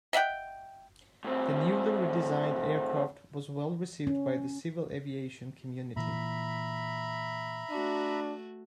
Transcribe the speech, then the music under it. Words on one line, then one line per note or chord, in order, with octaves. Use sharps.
The newly redesigned aircraft was well received by the civil aviation community.
D#5 E5 F#5 G5
A2 C4
C#4
A#2 E3 E5 A#5 B5
A3 D4 F#4